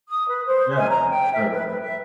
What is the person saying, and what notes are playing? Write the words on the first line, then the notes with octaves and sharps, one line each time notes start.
Yeah, for sure.
D#6
B4
C5
G#5
A#5
G5
E5
B4
B4
E5